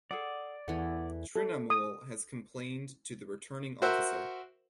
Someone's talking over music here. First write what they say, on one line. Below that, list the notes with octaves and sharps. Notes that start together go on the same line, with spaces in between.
Trinamool has complained to the Returning Officer.
G#4 A4 D5 F#5
E2 E3 A3 F#5
A4
D#6
F#4 A#4 C5 E5 F#5